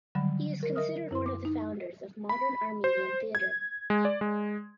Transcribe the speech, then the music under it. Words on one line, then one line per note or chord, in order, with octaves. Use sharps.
He is considered one of the founders of modern Armenian theater.
D3 D#3 F#3 G3 B5
A#4
A#4 D#5 E5 D#6 F6
F#2 E4 B4 C6
D6
D#4
B5
C5
G#6
G#3
D5
G#3